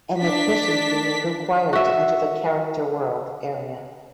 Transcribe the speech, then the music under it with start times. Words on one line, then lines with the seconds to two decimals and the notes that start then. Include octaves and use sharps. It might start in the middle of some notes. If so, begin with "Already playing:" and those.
An admission fee is required to enter the Character World area.
0.21 D4 B6
1.73 F#4 E5